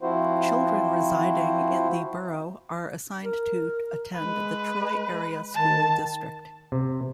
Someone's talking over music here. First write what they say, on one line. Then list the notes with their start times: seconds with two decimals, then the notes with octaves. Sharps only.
Children residing in the borough are assigned to attend the Troy Area School District.
0.01 F3 C4 E4 F#4 C5
3.24 A#4
4.15 G#3 B4
5.54 D#3 A5
6.72 C3